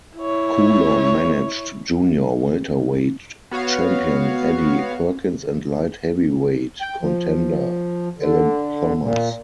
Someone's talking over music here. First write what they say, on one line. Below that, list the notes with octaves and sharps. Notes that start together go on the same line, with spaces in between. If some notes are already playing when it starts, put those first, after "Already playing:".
Coulon managed junior welterweight champion Eddie Perkins and light-heavyweight contender Allen Thomas.
E4 C#5
B3 F#4 C#5 F5
G5
F3
D3
A#2